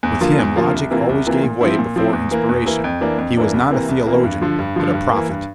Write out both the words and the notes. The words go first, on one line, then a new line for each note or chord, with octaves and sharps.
With him logic always gave way before inspiration: he was not a theologian, but a prophet.
E2
D3 F3 A#3 F4
E2
D3 F3 A#3 F4
C2
C3 E3 A#3 F4
C2
C3 E3 A#3 F4
A#2
F3 C4 E4
A#2
F3 C4 E4
E2
E3 A#3
E2
E3 A#3
F2
E3 A#3 D4
F2
E3 A#3 D4
C2
C3 E3 A#3
C2
C3 E3 A#3
G2
D3 F3
G2
D3 F3
G2
E3 A#3
G2